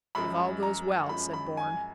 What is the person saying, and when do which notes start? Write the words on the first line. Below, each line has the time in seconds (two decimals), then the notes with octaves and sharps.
"If all goes well," said Bourne.
0.15 F#2 F3 G#3 B5
0.63 A#5
1.09 F#2 F3 G#3 B5
1.33 B5
1.57 G#5